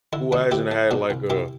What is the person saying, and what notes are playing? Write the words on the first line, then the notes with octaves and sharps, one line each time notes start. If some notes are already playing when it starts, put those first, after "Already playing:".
who hasn't had like, uh
D3 E4
D2 D4 F#4
D2 E4 G4
A3
B2 D4 F#4
C2
C2 E4 G4